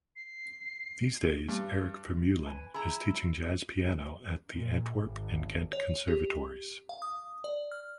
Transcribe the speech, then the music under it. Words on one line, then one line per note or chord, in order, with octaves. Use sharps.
These days, Erik Vermeulen is teaching jazz piano at the Antwerp and Ghent conservatories.
C7
G2
B4 G#5
E4 G#4 A#5
A#2
G#1
C#5
G4
F5
D#6
D5
F6